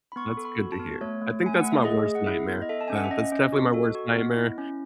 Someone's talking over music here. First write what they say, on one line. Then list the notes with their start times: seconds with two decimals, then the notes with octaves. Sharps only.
That's good to hear. I think that's my worst nightmare. Yeah, that's definitely my worst nightmare.
0.12 B5
0.16 B3 C#6
0.37 A4
0.45 B5
0.58 F#4
0.72 A5
0.80 B3
1.01 A3 C#5
1.21 A3
1.43 A3 G#5
1.59 A3 F#5
1.72 E5
1.84 G#4 D#5
2.06 G#4
2.15 F#5
2.27 E4 E5
2.48 B3
2.62 D#5
2.69 A4 E5
2.81 A5
2.88 C#4 G#5
2.95 F#5
3.04 E5
3.11 C#4 D#5
3.32 C#4
3.52 F#4
3.74 A4
3.95 F#4
4.16 B3
4.37 E4
4.58 C#4